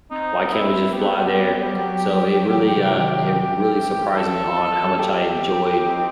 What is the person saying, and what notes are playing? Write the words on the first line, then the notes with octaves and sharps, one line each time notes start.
Why can't we just fly there?" So it really, uh, it really surprised me on how much I enjoyed
C4 D#4
E4
B3 G4
G3
F#3
E3
C3
D#3
D#3
E3
A4
G4
D#4
C4